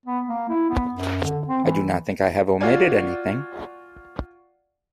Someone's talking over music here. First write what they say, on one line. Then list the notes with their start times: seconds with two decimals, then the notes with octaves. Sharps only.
I do not think I have omitted anything.
0.06 B3
0.29 A#3
0.49 E4
0.70 B3
0.91 F#2
1.23 D3
1.48 C4
1.64 E3
2.61 F4 F#4 D5 G#5